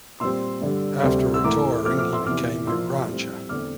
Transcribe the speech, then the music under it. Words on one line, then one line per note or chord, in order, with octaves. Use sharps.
After retiring, he became a rancher.
A#2 G3 C4 C6 E6
G2 D3 G3
D2 C3 G3 C4
E6
A2 E3 A#3 A#5 D6
A#2 F3 A3 C4 D6 F6
D6 F6
C6 E6
E2 C3 E3 D6 F6
A#2 F3 A#3 C6 E6
A2 G3 C4
E2 D3 A3 C4 D6 F6